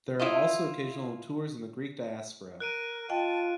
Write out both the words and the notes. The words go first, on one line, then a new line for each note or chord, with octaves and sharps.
There are also occasional tours in the Greek diaspora.
E4 F4 D#5
A#4 F#6 D7 D#7
F4 D#5 G5 A5